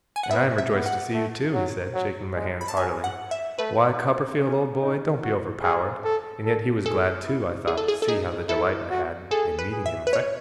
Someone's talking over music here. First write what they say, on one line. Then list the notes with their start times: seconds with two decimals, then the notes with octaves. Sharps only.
'And I am rejoiced to see you, too!' he said, shaking my hands heartily. 'Why, Copperfield, old boy, don't be overpowered!' And yet he was glad, too, I thought, to see how the delight I had in meeting him affected me.
0.16 G#5
0.23 F#5
0.31 B3 E5
0.58 E5
0.73 B3
0.86 F#5
1.13 A3
1.54 F#3
1.94 F#3
2.36 G#3
2.61 B5
2.68 A5
2.76 F#3 G#5
3.04 F#5
3.31 E5
3.58 A3 B4
3.99 B3
4.40 C#4
4.81 D#4
5.22 F#4
5.63 G#4
6.04 A4
6.45 A4
6.86 G#4 A4
7.26 E4
7.67 E4 G#4
7.78 A4
7.88 G#4
8.02 A4
8.08 D#4 G#4
8.49 E4 A4
8.90 F#4
9.31 G#4 A4
9.59 B4
9.72 G#4
9.86 E5
10.07 B4
10.13 C#5